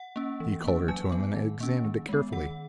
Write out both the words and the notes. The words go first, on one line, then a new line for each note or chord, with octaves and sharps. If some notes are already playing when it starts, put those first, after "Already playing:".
He called her to him and examined it carefully.
Already playing: F#5
A#3 C#4
E3
A#3 C#4
F#3 G#5
B3
D#3
A#3 C#4
D#3
G#3 B3
D#3 F#5